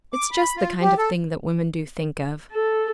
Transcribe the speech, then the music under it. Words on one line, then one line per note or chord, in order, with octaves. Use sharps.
"It's just the kind of thing that women do think of."
D6
B5
F4
G4
A4
A4